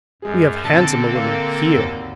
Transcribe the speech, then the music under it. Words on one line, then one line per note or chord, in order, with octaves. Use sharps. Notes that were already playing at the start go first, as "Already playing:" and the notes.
"We have handsomer women here."
F#2 G#3 G#4
A#1 D3 C4 A4 A5
A#3
G#1 D#2